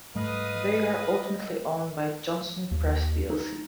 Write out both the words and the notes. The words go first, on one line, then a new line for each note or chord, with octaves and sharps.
They are ultimately owned by Johnston Press plc.
G#2 G3 A3 B4 D#5 F5 D#6
D#2
D#4